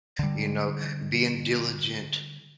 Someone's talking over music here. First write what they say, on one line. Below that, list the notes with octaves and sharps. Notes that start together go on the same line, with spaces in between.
you know, being diligent.
D3 G3